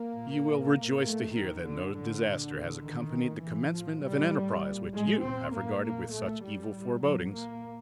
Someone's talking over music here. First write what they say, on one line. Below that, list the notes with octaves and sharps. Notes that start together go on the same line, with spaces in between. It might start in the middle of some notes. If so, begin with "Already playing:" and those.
You will rejoice to hear that no disaster has accompanied the commencement of an enterprise which you have regarded with such evil forebodings.
Already playing: A#3
A#2
A#2
A2
A2 A3
A2 D#3
A2 D3
A2 D3
A#2
A#2
A2 D#3
A#2
A#2 E3
A2 F3
A#2 G3
A2
A#2
A2 G#3
A#2 C4
A2 A#3
A#2 A#3
A#2 A3
A2 G3
A2
A2 F#3
A#2 A#3